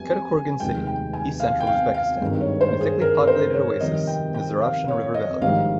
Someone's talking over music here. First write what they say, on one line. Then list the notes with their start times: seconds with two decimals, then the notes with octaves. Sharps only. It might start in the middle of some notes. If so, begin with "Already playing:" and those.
Kattakurgan, city, east-central Uzbekistan, in a thickly populated oasis in the Zeravshan River valley.
Already playing: F2 G3 G#5
0.60 F1 D#2 D#3 G#3 G5
0.87 G5
1.13 G#5
1.40 F5
1.60 G5
1.67 F5
1.94 F5
2.21 G#1 G2 D#3 G#3
2.41 C#5
2.61 C5
2.81 G#4
3.01 A#4
3.27 C5
3.54 C#5
3.80 F2 C3 D#3 G3 D#5
4.07 G5
4.34 G5
4.62 F5
4.88 C#5
5.14 D#5
5.41 A#1 G#2 D#3 G3 F5